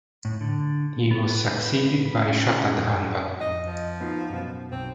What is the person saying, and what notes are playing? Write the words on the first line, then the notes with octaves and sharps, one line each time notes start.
He was succeeded by Shatadhanvan.
A2
D3
B3
B4
B4
C#4
G#4
F2 D#5
F3
B3 D#4 F4
F#2 B2
B1 C4